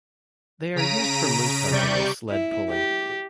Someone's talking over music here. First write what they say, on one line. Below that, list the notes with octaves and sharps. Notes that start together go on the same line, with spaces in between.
They are used for moose hunting and sled pulling.
C#3 A#5 B6 D7 D#7
C3 G3 D5 C#6 G6
E4
G4